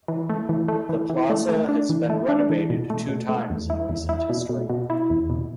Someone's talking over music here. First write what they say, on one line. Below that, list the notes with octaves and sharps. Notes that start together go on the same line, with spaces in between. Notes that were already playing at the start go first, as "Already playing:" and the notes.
The plaza has been renovated two times in recent history.
E3
A3
E3
A3
E3
E3
A3
A3
D4
E3
A3
D4
E3
B2
A3
B2
A3
E2
E4
E2
E4
B2
B2
B2
E4
E2
B2